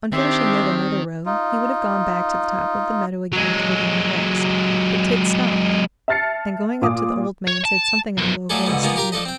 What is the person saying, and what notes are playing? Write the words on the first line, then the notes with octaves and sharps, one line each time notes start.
On finishing yet another row he would have gone back to the top of the meadow again to begin the next, but Tit stopped, and going up to the old man said something in a low voice to him.
D#3 C4 D4 G4 E5 C6
D#4 F4
F#3 G#3
E5 A5 F6 A6 C7 C#7
A#2 F5 D6 D#6
C#5
A5
B1 F#2
F3 F#3 A3 D4 G#4 A4
C#2 G#2 D3 B3
F3 G#3 A#3 B3 F4
F4 G4 A#4 G5 A#5
F3 D4 A4 D#5
C4 G5